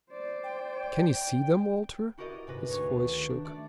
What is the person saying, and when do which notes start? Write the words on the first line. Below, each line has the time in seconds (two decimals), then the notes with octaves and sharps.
"Can you see them, Walter?" His voice shook.
0.11 C5 D5
0.44 G5
2.18 E4 F#4 G4 A#4 D5 D#5
2.47 G#2 C3 B4 A#6
2.69 D2 C#5 C#6
3.04 D#3
3.30 D4
3.45 A3 D5